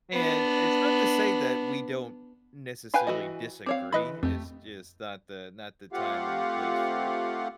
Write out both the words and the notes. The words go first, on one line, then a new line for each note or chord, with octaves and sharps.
And it's not to say that we don't, necessarily, disagree, it's just not the not the time and the place for it.
B3 D4
G4 B4 F5 G5 G#5 B5
E3 F#4 D#5
C4 C#5 F5 D6
E3 B4 D#5 B5
F2 A3 G4
A3 C4 F4 G4 F5 F#5